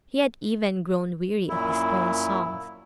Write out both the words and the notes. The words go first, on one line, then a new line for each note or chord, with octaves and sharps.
He had even grown weary of his own songs.
F#2 A#2 E4